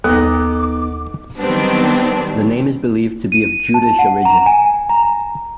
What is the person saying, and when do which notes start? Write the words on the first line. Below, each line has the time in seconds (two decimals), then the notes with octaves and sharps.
The name is believed to be of Jutish origin.
0.04 D#2 B3 D#4 A4 D6
1.39 D#3 F#3 G3 B3 C4 D4
3.32 D#7
3.74 A5
3.99 F#5
4.25 A#5
4.46 G#5
4.89 A#5